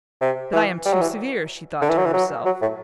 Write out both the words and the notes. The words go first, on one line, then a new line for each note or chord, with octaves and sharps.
"But I am too severe," she thought to herself.
C3
E3
G3
F#3
E3
D3
E3
F#3
E3
F#3
F#3
A2